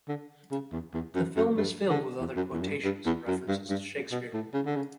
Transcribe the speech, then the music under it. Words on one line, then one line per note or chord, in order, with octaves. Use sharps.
The film is filled with other quotations and references to Shakespeare.
D3
C#3
E2
E2
F#2
F#2
G2
D3
E2
F#2
E2
F#2
G2
G2
E2
F#2
G2
G2
B2
A2
C#3
D3
C#3